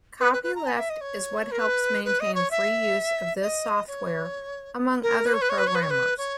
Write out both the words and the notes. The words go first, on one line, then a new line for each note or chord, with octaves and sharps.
Copyleft is what helps maintain free use of this software among other programmers.
B4
B4
B4
A#5
G#5
E5
D#5
C#5
A#4
B4
B4
D#5
C#5
E5
D#5
C#5
A#4
B4
C#5
B4
C#5
B4
C#5
B4
C#5
B4
C#5